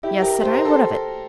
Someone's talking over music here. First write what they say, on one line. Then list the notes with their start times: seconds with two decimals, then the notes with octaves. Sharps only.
"Yes!" said I. "What of it?"
0.03 E4 G4
0.22 G4 A#4
0.42 C5
0.54 A#4
0.65 A4 C5